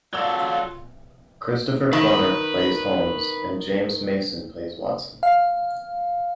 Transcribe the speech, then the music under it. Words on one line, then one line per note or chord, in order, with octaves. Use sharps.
Christopher Plummer plays Holmes and James Mason plays Watson.
F#3 F4 A4 D5 F5 E6
D#3 B4
F5